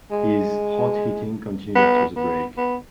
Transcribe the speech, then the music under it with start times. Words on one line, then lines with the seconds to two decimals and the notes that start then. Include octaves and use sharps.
His hot hitting continued after the break.
0.12 G#3
1.75 B3
2.16 B3
2.57 B3